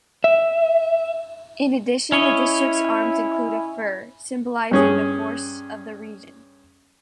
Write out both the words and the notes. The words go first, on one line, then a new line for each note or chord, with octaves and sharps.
In addition the district's arms include a fir, symbolising the forests of the region.
E5
C#4 E4 C#5 D#5
G2 C#4 G#4